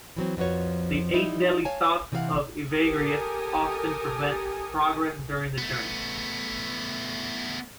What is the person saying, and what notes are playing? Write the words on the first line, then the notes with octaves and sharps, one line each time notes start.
The Eight Deadly Thoughts of Evagrius often prevent progress during the journey.
E3 F#3 C4
F2 F3 F#4 B4 C#5
F3 G3 D#4 E4
C#5 F5 G#5 A5
C3 E3 C4 A4 F5 F#5
G4 A4 A#4 G#5 D#6
A3 B3